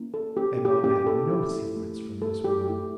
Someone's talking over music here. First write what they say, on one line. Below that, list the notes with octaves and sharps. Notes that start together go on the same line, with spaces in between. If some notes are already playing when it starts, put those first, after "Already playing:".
M.O. had no secrets from this woman.
Already playing: A#3 C#4 E4
A4
A#3 C#4 E4 G4
G4
A#3 C#4 E4 G4
A4
A3 E4 G4
A3 E4 G4
A3 E4 G4 A4
G4
A3 E4 G4